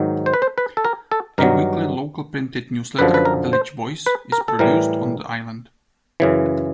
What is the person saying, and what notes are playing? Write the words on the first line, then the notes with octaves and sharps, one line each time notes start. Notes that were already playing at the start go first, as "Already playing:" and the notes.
A weekly local printed newsletter, "Village Voice", is produced on the island.
Already playing: G#2 D#3 F#3
C5
B4
C5
B4
A4
A#4
A4
G2 D#3 F#3 A#4
F#2 D3 F3 B4
B4
A#4
C5
B4
A#4
A4
A2 E3 G3 A#4
F#2 C#3 E3